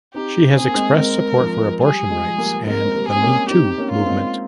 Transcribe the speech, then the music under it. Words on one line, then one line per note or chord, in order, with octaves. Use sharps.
She has expressed support for abortion rights and the Me Too movement.
C4 D#4 G4
C4 G#4
A#3
G#3 C4
G#3 C4 A#4
F3
G3 G#4
F3 G#3
G3 A#3
G#3 C4 A#4
C4
G3 A#3
G#4
C4
A#3 C#4
C4 D#4 G4
A#3 C#4
F4
A#3
G#3 C4